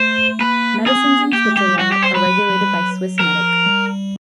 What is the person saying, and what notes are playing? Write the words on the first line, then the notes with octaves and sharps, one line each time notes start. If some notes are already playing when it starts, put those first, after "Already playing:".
Medicines in Switzerland are regulated by Swissmedic.
Already playing: A3 C5
A#3 B4
B3 G#4
C4
B3
A#3 G4
A3
G#3 G4
G3
G3 F#4
G4
C5
G3 B4
F#3
F#3
G3
F#3
F3 A#4
G3